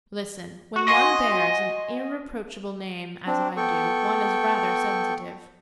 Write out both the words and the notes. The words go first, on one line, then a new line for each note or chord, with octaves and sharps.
"Listen--when one bears an irreproachable name, as I do, one is rather sensitive."
F#4
F#4 D#5 G#5 C6
C4 D4
B3 A4 G5 C#6